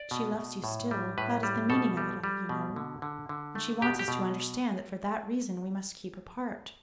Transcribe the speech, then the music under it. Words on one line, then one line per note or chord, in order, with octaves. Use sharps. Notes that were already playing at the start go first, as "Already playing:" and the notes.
She loves you still,--that is the meaning of it all, you know--and she wants us to understand that for that reason we must keep apart.
Already playing: D5
B2
B2
A2
G3
A2 B4
G3
B2 A4
G3
G3
B2
D3
D3
D3
A3
B2 G4
G4
B2